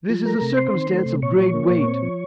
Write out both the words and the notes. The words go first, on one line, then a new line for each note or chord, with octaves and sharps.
This is a circumstance of great weight.
F3
A3 A#4 A#5
C3
C4 C5 C6
D#3
A3
C3
A#2 C#5 C#6
F3
A#3
A#2
C4
F3